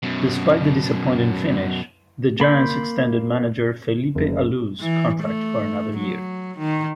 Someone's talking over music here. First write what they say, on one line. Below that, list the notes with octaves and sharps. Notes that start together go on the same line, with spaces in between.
Despite the disappointing finish, the Giants extended manager Felipe Alou's contract for another year.
F#2 B2
A#3 B5 C6 G6
F#1
E3
A3
F#3
D#3